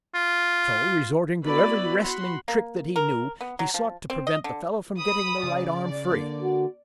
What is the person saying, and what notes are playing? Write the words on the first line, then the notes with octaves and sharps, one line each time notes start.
So, resorting to every wrestling trick that he knew, he sought to prevent the fellow from getting the right arm free.
F4
B3 E4 F#4 B4 D5 B5
F#4 F#5 B5 C6
A#3
A#4
B3
F#3
F3
C4
D#5
D3
B5 D#6
C#3 D5
D3 A#3
F#4